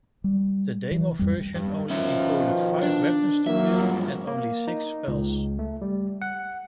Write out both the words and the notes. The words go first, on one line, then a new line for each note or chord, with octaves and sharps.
The demo version only included five weapons to wield and only six spells.
G3
E3
F2 G3
G2
B2 D#3 F3 C#4 E5
D4
F#3 A#3 E5
G2 F3
A#3
D#4
C#2
A3
G3
F#5